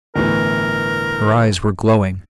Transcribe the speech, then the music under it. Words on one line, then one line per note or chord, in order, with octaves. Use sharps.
Her eyes were glowing.
G1 A2 E3 A#4